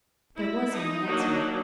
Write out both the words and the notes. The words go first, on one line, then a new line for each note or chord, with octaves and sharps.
There was no answer.
E4
D#4
F#3 A#3 D4 D#4